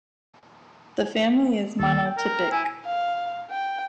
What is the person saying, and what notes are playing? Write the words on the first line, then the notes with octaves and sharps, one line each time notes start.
The family is monotypic.
D#2 A4
G5
A#4
E4 G#5
F5
G5